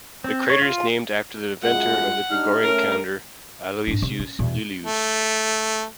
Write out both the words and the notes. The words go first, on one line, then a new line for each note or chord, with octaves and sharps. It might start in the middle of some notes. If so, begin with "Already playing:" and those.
The crater is named after the inventor of the Gregorian calendar, Aloysius Lilius.
C4
C#5
F4
F#2 G#3 F4 F#5
D4 D#4 G4 F6
A3 C#4 A#4
G#2 D4
C3
C#4
E2 B2
A3